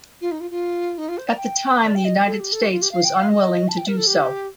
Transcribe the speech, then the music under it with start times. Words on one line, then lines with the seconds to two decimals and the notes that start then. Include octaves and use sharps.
At the time the United States was unwilling to do so.
0.21 F4
0.31 D#4
0.40 F4
0.50 F4
0.97 D#4
1.08 F4
1.17 C5
1.27 D5
1.36 G5
1.84 D5
1.94 G5
2.04 D#5
2.26 A4
2.39 G4
2.52 A4
2.62 G4
2.71 F4
2.81 G4
2.91 F5
3.04 G5
3.16 F5
3.28 D#5
3.68 A5
3.77 G5
3.87 A#4
3.96 A4
4.06 G4